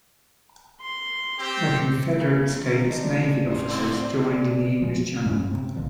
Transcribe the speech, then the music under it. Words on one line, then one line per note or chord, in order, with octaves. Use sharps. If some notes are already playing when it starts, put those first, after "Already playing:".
Her Confederate States Navy officers joined in the English Channel.
C6
C4 G4
C#3 B3
D#3 F3 A3
C#3 D4 D#5
C4
D4 F4
G#3 A#3 D5
F3 G#3
G2 G#3 A3 C#4
C3 C4
B1 A#2 D3 F3